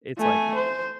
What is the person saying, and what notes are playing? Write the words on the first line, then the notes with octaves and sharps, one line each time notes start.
it's, like,
A3 G#5
C5